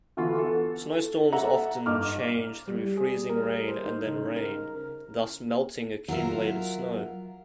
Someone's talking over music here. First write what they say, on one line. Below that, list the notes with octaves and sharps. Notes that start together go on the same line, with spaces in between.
Snowstorms often change through freezing rain and then rain, thus melting accumulated snow.
D3 E3 B3 F4 F#4
A4
A4 E5 F#5 A#5
G2 D#4 D6 F6
G3
G#4
A#4
C5
D#4
C#3
A#4
F#3 F4 A#4 E5